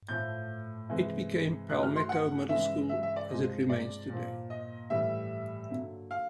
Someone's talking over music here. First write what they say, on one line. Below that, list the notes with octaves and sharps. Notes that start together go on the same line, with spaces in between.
It became Palmetto Middle School as it remains today.
A2 F3 A3 G6
C3 E3 G#3
D#3 F#3 A3 F#6
F6
C6
F#5
C#3 E3 G#3 E5
E5
E5
D5
C3 F3 G#3 D#5
D5
A#2 F3 A#3
D#5
A2 E3 G3 E5
D3 F#3 A#3
F5